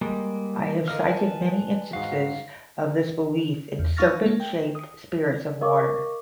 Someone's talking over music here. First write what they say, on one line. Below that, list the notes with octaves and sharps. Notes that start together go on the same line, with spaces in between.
I have cited many instances of this belief in serpent-shaped spirits of water.
G3 G#3 A#3
D3 A#4 D#5 F5 F6
B4 G#5 A5
G#2 F#4 F5
E2
D#4 F5 C#6 F6 A6 A#6
G#3 A#3
G5
D#6
A#4 D#5 F5 C#6 D6